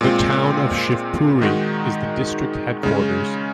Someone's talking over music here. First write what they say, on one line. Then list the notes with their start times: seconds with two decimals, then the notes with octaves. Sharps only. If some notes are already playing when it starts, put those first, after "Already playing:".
The town of Shivpuri is the district headquarters.
0.01 A#2 G#3 C4 F4
1.42 D#3 G#3 D#4 F#4
2.83 C#3 G#3 C#4